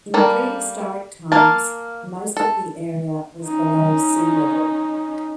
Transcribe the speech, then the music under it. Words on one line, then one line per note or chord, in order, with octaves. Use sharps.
In prehistoric times most of the area was below sea level.
G3 A#3 A4
A#3 F5 A5
A4
C#4 D#4